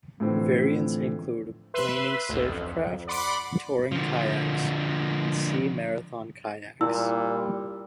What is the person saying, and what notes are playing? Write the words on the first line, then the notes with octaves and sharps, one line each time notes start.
Variants include planing surf craft, touring kayaks, and sea marathon kayaks.
A2 D3 E3 F3 C4
B4 E5 C6
A1 D2
F2
D5 F#5 B5 C6 D6
D3 F3
A#2 G3 E4 E6